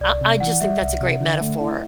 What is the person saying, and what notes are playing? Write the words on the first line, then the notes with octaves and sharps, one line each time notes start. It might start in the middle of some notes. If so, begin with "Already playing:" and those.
I I just think that's a great metaphor
C2 D5
C3
E3 F#5
G3 E5
C2
C3
D3
A3
E4